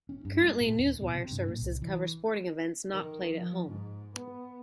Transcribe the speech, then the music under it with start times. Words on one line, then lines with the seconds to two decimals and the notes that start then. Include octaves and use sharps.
Currently, news wire services cover sporting events not played at home.
0.09 C#4
0.25 G2
0.44 G#3
0.61 A#2
0.79 D#2
1.02 B2
1.15 C3
1.31 G2
1.48 A#2
1.61 C2
1.82 E3
2.90 D#3
3.30 F3
3.67 G#2
4.14 B3